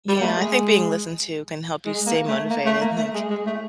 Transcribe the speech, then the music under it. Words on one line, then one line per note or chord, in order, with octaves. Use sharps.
Yeah, I think being listened to can help you stay motivated, like,
G3
A#3
A3
G#3
G#3
A#3
A3
A#3
A3
A#3
A3
G#3
G#3
A3